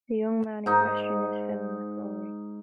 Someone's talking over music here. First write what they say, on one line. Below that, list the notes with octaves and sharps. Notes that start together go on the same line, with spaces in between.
The young man in question is Phil McRory.
G#2 D#4 D#5